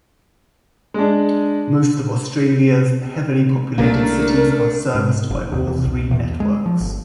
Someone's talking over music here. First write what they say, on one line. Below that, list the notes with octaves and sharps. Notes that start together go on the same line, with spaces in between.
Most of Australia's heavily populated cities are serviced by all three networks.
G#3 D4
C2 C#3 A3 A#3 D4 A#4
G#2
F#1
D#2
E2
C2
E2
G#3
F3
G1